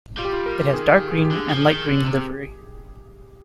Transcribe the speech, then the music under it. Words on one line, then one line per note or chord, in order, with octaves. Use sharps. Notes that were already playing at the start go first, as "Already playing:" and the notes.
It has dark green and light green livery.
G3 F4
G4
F4
A#4
D#3 G#4
G4
G#4
G4
D3
G#4
F3
D#3
D3
C3